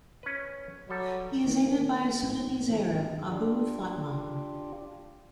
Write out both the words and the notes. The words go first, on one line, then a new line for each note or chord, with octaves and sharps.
He is aided by a Sudanese Arab, Abou Fatma.
C#4 B4
F#3 G3 A4
A1 D#3
D#3 A#3
A1 G#2
D#3 E3 C4
G#2 D3 G#3
D4 F4 G4